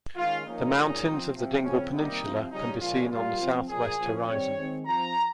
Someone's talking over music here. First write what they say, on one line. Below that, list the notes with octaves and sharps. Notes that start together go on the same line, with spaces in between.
The mountains of the Dingle Peninsula can be seen on the south west horizon.
D#3 G#3 C#4 F4
F3 A#3 C#4 D#4
A#2 G#3 C#4
F3 C4
C3 F3 C4
C#3 F3 C4 C#4
C3 D#3 G3 A#3 D#4
C3 F3 C4
C#3 G3 C#4 D#4
A#2 F3 G#3 C#4 F4
A#2 G3 A#3 F4
F3 C4
A#2 F3 A#3 G#4
F3 A#3 C#4
D#3 G3 C4 C#5
D#3 G#3 C4
F3 C4 A#5